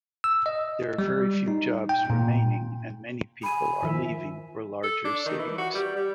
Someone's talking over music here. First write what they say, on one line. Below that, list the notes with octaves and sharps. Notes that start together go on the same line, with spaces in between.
There are very few jobs remaining, and many people are leaving for larger cities.
E6
D#5
G3
D#4
G5
A#2
G#5 B5 D#7
D#3 F3 E5
A4
D4
D#3
E3
F#4
G3
G3